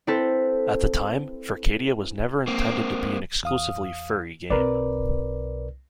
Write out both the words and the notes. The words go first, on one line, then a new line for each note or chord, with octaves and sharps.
At the time, "Furcadia" was never intended to be an exclusively 'furry' game.
C4 E4 A4 B4 C5
A#3 C4
E2 F5 D#6
B1 C4 A#4 B4 D5